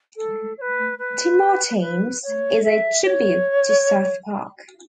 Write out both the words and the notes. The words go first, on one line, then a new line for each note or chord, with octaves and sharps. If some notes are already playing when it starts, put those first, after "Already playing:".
Timotines is a tribute to South Park.
A4
C#5
B4
B4
B4
C#5
E5
C#5